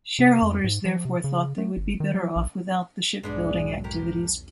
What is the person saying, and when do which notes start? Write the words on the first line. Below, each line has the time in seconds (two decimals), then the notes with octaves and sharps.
Shareholders therefore thought they would be better off without the shipbuilding activities.
0.19 C3
0.42 F2
0.64 G#2
0.85 F3
1.05 C3
1.24 C#3
1.58 A3
1.77 G1
2.00 D#3
2.15 F#3
2.36 A#1
3.23 B1 E2 G#2 F#3 G#3 B3 D4 D5
3.84 A2 G4 A#4